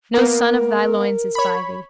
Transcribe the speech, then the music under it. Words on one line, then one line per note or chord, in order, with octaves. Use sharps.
No son of thy loins is by thee.
A#3 B3 A#4
C#5 B5